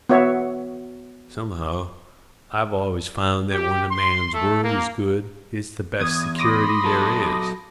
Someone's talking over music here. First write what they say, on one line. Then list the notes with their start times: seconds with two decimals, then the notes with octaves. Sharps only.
Somehow, I've always found that when a man's word is good it's the best security there is.
0.09 B3 F#4 C#5 E5
3.53 G4
3.90 C6
4.32 A3
4.63 A#3
6.00 E2 D#6 G#6
6.39 B5 C6 D6 D#6 A#6
6.84 F#3 A4